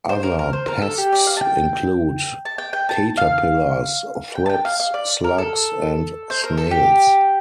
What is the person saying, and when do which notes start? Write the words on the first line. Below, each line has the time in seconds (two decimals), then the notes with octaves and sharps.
Other pests include caterpillars, thrips, slugs and snails.
0.09 C5
0.23 A#4
0.39 A#4
0.53 C5
0.68 A#4
0.82 A4
0.98 G4
1.12 D5
1.27 F5
1.37 A5
1.41 G5
2.45 A5
2.58 G5
2.73 G5
2.89 A5
3.17 F5
4.35 G5
4.46 A5
4.50 G5
4.65 F5
4.80 F5
4.94 D5
5.24 A#4
5.38 A4
6.30 C5
6.44 A#4
6.57 A4
6.71 G4